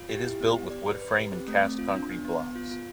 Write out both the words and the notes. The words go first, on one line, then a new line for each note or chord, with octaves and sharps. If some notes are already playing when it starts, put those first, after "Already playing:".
It is built with wood frame and cast concrete blocks.
Already playing: F4
G4
E4
B3
G4
D5
B4
B4
G4
C4
A3
C4
F4
D4
B3
B3
B3
F4
F4